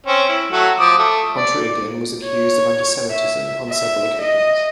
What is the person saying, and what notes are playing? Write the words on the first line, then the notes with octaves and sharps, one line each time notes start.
Pontryagin was accused of anti-Semitism on several occasions.
C4 C#4
E4
F#3 A3 F#4
F3 D6 D#6
A3
D5
C#5
E5
E5
D#5